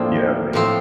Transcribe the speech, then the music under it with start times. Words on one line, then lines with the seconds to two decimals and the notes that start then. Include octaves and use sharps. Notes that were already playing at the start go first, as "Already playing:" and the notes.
You know what I mean?
Already playing: A2 F3 A#3 C4 D4
0.53 A2 F3 C4